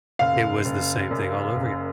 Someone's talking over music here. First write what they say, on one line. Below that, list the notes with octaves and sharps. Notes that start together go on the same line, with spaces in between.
it was the same thing all over again.
F#1 F5
F#1
F#2
F#1